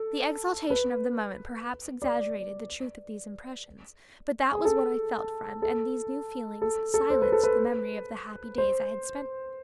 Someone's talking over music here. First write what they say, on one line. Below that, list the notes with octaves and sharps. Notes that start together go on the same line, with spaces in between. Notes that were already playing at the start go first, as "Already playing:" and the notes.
The exaltation of the moment perhaps exaggerated the truth of these impressions, but that was what I felt, friend, and these new feelings silenced the memory of the happy days I had spent with you.
Already playing: A4
B4
D5
G#4
A4
A4
A4
A4
C5
B4
A4
B4
C5